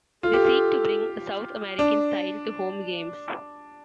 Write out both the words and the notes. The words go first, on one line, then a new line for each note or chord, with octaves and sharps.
They seek to bring a South American style to home games.
F4 A4
G4
F4
D4